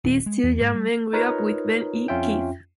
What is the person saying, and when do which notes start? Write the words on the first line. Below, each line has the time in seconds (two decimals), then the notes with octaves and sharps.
These two young men grew up with Ben E. Keith.
0.04 D#1
0.26 G#3
0.43 E2
0.61 G#2
0.74 G3
1.13 D#4 F4 A#4 B4 C#5
2.08 F2 C#4 F4 E5 G5